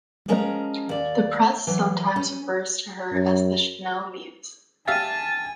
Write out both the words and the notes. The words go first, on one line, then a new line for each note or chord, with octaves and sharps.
The press sometimes refers to her as "The Chanel Muse".
F3 G#3 C#4 A#4 A#5
D#2 D5
E3 F#3
C#4
F#2
G4 E5 F5 G#5 A5 A6 D#7